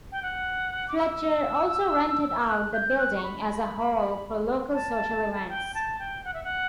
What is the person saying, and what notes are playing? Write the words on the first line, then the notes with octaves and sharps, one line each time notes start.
Fletcher also rented out the building as a hall for local social events.
G5
F#5
D6
E6
F#6
G6
F#6
C#6
B5
A5
G5
A5
G5
F#5
E5
F#5